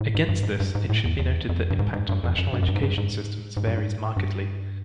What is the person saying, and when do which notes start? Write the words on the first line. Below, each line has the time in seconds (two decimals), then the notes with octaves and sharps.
Against this, it should be noted that impact on national education systems varies markedly.
0.01 A2
0.15 G#2
0.29 G2
0.43 G#2
0.60 G2
0.75 G#2
0.89 A2
1.05 E2
1.19 E2
1.49 F2
1.70 G2
1.79 G#2
1.94 G#2
2.09 G2
2.24 F2
2.38 F#2
2.53 G2
2.62 F#2
2.68 G2
2.76 G#2
2.83 G2
2.98 G#2
3.57 G#2
3.67 G2
3.78 G#2
4.17 G2